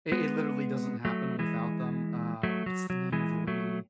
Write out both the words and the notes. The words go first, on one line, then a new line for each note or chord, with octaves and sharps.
It it literally doesn't happen without them, uh, what's the name of the lady?
G#3 B3
F#3 A3
E3 G#3
F#3 A3
F#3
F#3
E3 G#3
F#3 A3